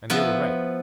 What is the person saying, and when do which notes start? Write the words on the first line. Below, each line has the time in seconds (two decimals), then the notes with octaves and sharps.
And they were right.
0.10 F3 B3 E4 B4